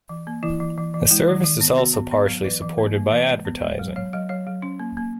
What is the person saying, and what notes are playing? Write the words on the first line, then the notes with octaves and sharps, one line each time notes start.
The service is also partially supported by advertising.
E3
A#3
E3 E4
E3
E3
E3
G#3 E4
D#3
D#3
B3
B3 F#4
B3
B3
F#3
E3 B4
E3
A#3
A#3
E3 B4
G#3
B3
G#3
F#3
F#3 C#5
F#3 D#5
F#3 C#5
F#3
C#4
A#3
A#3